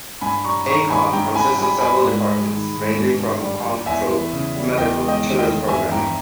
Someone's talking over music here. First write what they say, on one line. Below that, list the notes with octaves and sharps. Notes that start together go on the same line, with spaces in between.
A-Kon consists of several departments, ranging from Kon Patrol to Medical to Children's Programming.
G2 G#5 B5
G3 A#5 C#6
D#3 A#5 C#6
G2 G#5 B5
G2 G5 A#5
G2 G#5 B5
G3 G#5 B5
G3 G#5 B5
G#2
G#3
D#3
G#2
G2
G2
G3
G3
E2 E5 G#5
E3
C#3
G3
E2 D#5 G5
G#3
D#5 G5
D#3
D#5 G5
E2
G2 E5 G#5
G2 G5 A#5